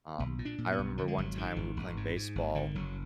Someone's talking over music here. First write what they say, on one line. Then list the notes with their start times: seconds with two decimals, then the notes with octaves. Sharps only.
um, I remember one time we were playing baseball,
0.19 B1 B3
0.39 A#2
0.45 D4
0.58 A#2
0.72 B3
0.78 B1
0.98 D3 F#3
1.08 G#3
1.18 G#1 F#3
1.37 F#2 D#3
1.56 G#1
1.76 G#1
1.97 G#2
2.16 G#2
2.36 G#1
2.55 D3 D#3
2.75 F#1 F#3